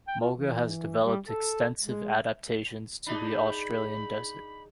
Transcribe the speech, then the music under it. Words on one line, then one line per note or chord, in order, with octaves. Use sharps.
Mulga has developed extensive adaptations to the Australian desert.
G5
F4
E3
G3
A4
G#3
D4 D#4 G#4 B5